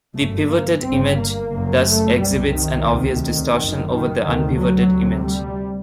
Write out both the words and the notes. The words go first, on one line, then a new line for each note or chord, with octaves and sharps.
The pivoted image thus exhibits an obvious distortion over the unpivoted image.
G1 F#2 A3
A#3
G1 G2 C4
A#3
F#1 F#2
A3
C2 C3 G3
D#3
D2 C3
D#3
F#1 F#2
D#3
D2 C3 D#3
F#3
D2 C3
G3